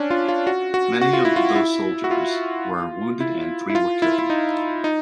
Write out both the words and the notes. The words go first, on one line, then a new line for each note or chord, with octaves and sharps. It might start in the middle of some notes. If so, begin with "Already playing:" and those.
Many of those soldiers were wounded and three were killed.
Already playing: C#4 D4
F4
F4
F#4
F#4
F#4
F4
E4
F4
E4
F#4
F4
E4
E4
F4
E4
E4
D#4
D#4